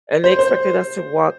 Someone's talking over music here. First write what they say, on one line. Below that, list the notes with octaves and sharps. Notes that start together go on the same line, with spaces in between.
and they expected us to walk
C5
C5